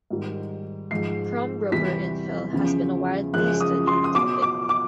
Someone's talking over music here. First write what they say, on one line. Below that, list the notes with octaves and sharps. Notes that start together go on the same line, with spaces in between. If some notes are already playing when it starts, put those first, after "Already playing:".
Crumb rubber infill has been a widely studied topic.
G#2 D#3 G3
G#2 F3 G#3 C7
E2 C3 E3 G3 B6
E2 C#3 F3
F#2 C#3 F3 G#3 F#6
D#6
C6
D#6
B2 F#3 D6
D6
D6